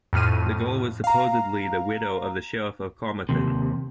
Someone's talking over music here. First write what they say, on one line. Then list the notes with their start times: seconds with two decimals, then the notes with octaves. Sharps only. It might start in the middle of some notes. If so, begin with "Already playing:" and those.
The girl was supposedly the widow of the sheriff of Carmarthen.
0.13 F2 A2 F6 D#7
1.04 F5 A#5
3.29 D#2 C3